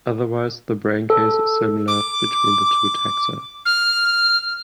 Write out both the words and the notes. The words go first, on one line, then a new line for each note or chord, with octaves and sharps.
Otherwise the braincase is similar between the two taxa.
A4
D6
F6